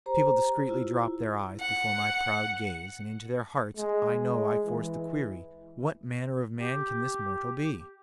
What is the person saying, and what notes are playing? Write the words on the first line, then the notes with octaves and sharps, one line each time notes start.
People discreetly dropped their eyes before my proud gaze, and into their hearts I know I forced the query, What manner of man can this mortal be?
G4 C5 A#5
E4 F4
F#5
G#3
G#3
E3
G4